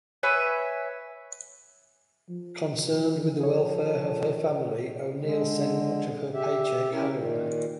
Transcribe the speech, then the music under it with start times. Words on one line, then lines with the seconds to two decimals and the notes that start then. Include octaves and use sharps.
Concerned with the welfare of her family, O'Neill sent much of her paycheck home.
0.23 B4 C#5 E5 G#5
2.29 F3
3.40 G#4 A4 C#5
5.21 D3 G#3
6.34 G4 E5
6.92 C#4 E4 G4 A#4
7.15 A#2 D#3